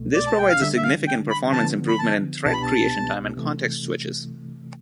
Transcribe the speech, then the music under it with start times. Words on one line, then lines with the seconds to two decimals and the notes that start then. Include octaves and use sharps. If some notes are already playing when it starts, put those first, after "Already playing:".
This provides a significant performance improvement in thread creation time and context switches.
Already playing: C2 B2 A3
0.15 D5
0.27 A5
0.38 G5
0.49 F5
0.61 D3 G3 D4 E5
0.77 E5
0.84 F5
1.07 G5
1.30 B5
1.53 D3 F3 B3 A5
1.89 B5
1.99 A5
2.45 C2 B2 B3 D4 G4 A5
2.53 B5
2.62 A5
3.37 C3 E3 A3